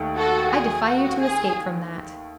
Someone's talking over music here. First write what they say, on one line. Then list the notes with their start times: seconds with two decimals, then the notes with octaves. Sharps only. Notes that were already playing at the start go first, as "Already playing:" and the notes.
I defy you to escape from that.
Already playing: D#2 D#3 A3
0.16 F#4 A4
0.50 G#4
0.85 F#4
1.20 G#4